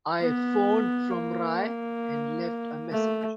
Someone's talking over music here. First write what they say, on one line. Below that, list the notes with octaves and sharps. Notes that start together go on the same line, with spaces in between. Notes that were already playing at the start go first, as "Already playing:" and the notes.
I phoned from Rye and left a message.
B3
A#3
A3